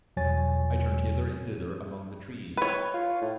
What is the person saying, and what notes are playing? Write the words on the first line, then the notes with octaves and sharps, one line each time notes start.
I turned hither and thither among the trees.
E2 B2 F#3 C#5 G#5 A6
B4 C#5
F4
A2